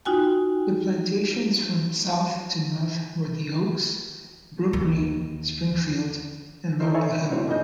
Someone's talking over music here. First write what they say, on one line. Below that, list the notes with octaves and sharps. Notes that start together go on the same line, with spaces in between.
The plantations from south to north were The Oaks, Brookgreen, Springfield, and Laurel Hill.
D#4 F4 F#4 G5 G#5
D#2
D#4 E4 A4 A#4 C5
C#5 E5 G#5 C#6
B5
D#1 A2 D3 C4 F#4 C#5
A#1 F2 G#2 D#5 G6